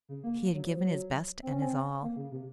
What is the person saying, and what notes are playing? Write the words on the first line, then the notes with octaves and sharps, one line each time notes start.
He had given his best and his all.
C#3
A#3
F#3
F#3
F3
F#3
C4
C#4
C4
A#3
C#3
C3